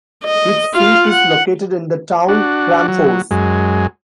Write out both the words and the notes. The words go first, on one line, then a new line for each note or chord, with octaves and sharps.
Its seat is located in the town Kramfors.
D#5
F4 F5
F#5
D4 F#4
F#3
F#2 G#3